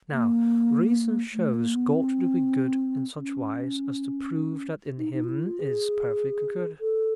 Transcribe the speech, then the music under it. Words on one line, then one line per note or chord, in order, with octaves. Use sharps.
Now, reason shows God to be good in such wise as to prove that in Him is perfect good.
A#3
A3
A#3
B3
C4
C#4
D#4
D#4
F4
E4
F4
G#4
A4